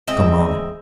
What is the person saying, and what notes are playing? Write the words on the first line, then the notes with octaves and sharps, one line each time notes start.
Come on!
G#3 C4 D#5 E5